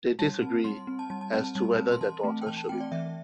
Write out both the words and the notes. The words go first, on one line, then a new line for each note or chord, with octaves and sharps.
They disagree as to whether their daughter should be married.
G3 A5
C4
G3 C6
C4
A5
G3 A5
A5
C4 A5
A5
G3 A5
C4
C6
E3 A5
A3 C4
G5
E3 A5
A5
A3 C4 G5
D5
E3 E5